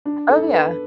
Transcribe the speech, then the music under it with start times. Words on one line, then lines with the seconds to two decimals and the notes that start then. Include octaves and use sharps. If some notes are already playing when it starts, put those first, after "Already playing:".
Oh, yeah,
0.05 D4
0.29 A4
0.53 B4